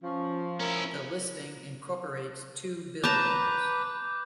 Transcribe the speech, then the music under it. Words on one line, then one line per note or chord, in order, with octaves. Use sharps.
The listing incorporates two buildings.
F3 C#4
C#4 E4 A#4
B4 A5 A#5 D6 G6